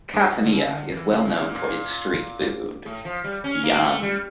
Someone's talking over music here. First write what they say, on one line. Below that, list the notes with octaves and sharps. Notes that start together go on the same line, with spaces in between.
Catania is well known for its street food.
G2
A2
D3
C#3
C#3
D3
E3
C#3
C#3
A#2
A#2
A2
F3
G3
C#4
A#3
A3
G3